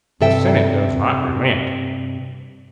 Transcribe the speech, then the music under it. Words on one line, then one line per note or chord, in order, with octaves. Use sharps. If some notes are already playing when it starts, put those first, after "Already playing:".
The senate does not relent.
G2 C3 A4 E5 G5